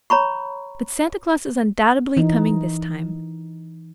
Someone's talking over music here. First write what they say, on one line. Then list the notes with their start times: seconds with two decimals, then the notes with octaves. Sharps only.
But Santa Claus is undoubtedly coming this time.
0.10 C#5 A#5 B5 C#6
2.17 E3 D#4